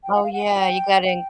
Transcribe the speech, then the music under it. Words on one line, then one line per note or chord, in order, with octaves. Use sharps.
Oh yeah, you got to
G5
F#5
F5
F#5
G#5
G5
G5